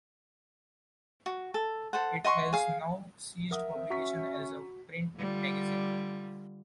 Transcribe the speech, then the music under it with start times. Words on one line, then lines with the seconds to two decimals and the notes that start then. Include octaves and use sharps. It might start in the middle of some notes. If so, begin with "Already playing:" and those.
It has now ceased publication as a print magazine.
1.26 F#4
1.54 A4
1.93 A4 C5 F#5
2.24 D#5 F#5 C6 C#6
2.53 G#4 F5
3.51 A#4 E5 F#5 D#6
3.75 C4
3.90 C#4 F#4 A#5 C#6 B6
5.16 D3 G3 F4